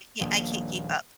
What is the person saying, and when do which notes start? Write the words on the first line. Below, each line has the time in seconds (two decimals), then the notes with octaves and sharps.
ca I can't keep up.
0.21 D#1 A#1